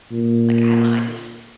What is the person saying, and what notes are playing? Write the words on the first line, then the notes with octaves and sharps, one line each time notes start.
Like, I don't, I just
A#2